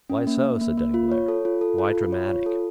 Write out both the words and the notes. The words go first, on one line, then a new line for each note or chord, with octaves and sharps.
"Why so?" said Danglars; "why dramatic?"
C#4
A#3
A#3
A#3
A#3
F4
C#5
A4
F4
A4
F4
F4
C#5
F4
A4